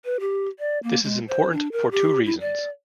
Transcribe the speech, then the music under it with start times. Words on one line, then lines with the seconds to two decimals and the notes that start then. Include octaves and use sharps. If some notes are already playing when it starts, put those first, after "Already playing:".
This is important for two reasons.
0.05 B4
0.20 G4
0.59 D5
0.83 A#3
1.03 G#3
1.28 C5
1.53 D4
1.72 A#4
1.91 G4
2.25 E4
2.40 D5